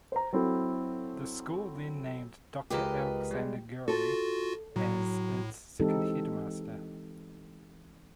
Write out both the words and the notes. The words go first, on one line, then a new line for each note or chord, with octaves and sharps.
The school then named Doctor Alexander Guerry as its second headmaster.
C5 A#5
F#3 C4 E4 A4
C#2 G#3 F4 G4 A#4 B4 D#5
G3 G#3
F4 F#4 A4
A2 F#3
E3 G#3 C4 D#4 G4 A4